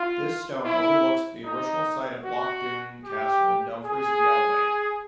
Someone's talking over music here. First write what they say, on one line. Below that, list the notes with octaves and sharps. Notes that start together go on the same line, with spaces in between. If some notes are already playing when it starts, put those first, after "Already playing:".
This stone overlooks the original site of Loch Doon Castle in Dumfries and Galloway.
Already playing: F4
E4
D#4
F#4
G4
G#4